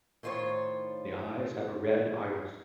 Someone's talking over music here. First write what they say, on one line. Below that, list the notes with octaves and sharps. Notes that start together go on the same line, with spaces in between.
The eyes have a red iris.
A2 D#3 F4 C5 C#5